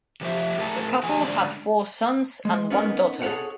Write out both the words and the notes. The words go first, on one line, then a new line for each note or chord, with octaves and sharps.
The couple had four sons and one daughter.
C3 F3 G4 E5
A2 G#4 A#4 A5
A2 E3 G4 G#4 G#5
G#2 D3 D5
G#3
B3 C#4 D#4 A#4
G#4 A4 B4 C#5 F#5